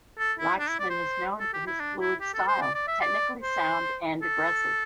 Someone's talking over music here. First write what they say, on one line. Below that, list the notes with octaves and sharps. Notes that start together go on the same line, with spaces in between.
Laxman is known for his fluid style, technically sound and aggressive.
A4
E4
D4
E4
D5
C5
A4
G4
E4
D4
E4
G4
A4
C5
D5
D5
E5
D5
C5
A4